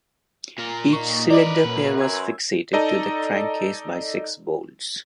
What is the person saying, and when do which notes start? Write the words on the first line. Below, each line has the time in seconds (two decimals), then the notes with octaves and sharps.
Each cylinder pair was fixated to the crankcase by six bolts.
0.58 A#2 A#4
0.93 D#4 C#6
1.30 A#4 B4 D5 D#5 D6
1.64 F#2 A#2
2.00 C6 E6 G#6
2.73 D#4 A4 D5 D#5 A5 A#5